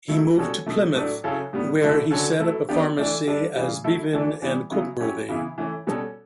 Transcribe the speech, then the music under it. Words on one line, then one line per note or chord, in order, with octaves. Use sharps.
He moved to Plymouth, where he set up a pharmacy as Bevan and Cookworthy.
F#3 A3 E4
B2 G3 C#4 F#4 A4
B2 F#3 A3
A2 F#3 A3 D4
C#3 F#3 C#4 E4 A4
A2 G3 B3
D3 F#3 A3 E4 A4
D3 F#3 C#4 F#4 A4
F#3 A3 E4 A4
F#3 B3 D4 G4
E3 A3 D4
G3 D4 A4
C#3 E3 G3
F#3 A3 E4 A4
E3 A3 D4 F#4 A4
E3 G3 B3
C#3 F#3 B3 E4
F#3 C#4 E4 G4
C#3 E3 B3 E4
E3 A3 C#4
B2 G3 C#4 F#4 A4